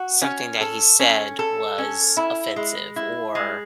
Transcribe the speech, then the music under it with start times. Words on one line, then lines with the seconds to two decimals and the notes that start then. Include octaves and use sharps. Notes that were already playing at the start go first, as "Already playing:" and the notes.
something that he said was offensive or
Already playing: F#4
0.22 C#4
0.61 A4
0.99 C#4
1.39 A4
1.78 C#4
2.17 E4
2.56 G#3
2.96 E4
3.35 G#3